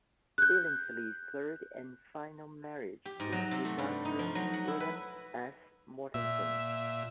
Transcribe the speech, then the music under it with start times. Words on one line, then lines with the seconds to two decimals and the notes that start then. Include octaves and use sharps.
Billingsley's third and final marriage was to Doctor William S. Mortensen.
0.38 F#6 G6
3.06 G4
3.20 G#2
3.32 F#3
3.51 C3
3.65 A3
3.79 G2
4.05 D#4
4.19 F3
4.35 F#3
4.53 F#5
4.68 E4
4.80 B4
6.14 A#2 E5 E6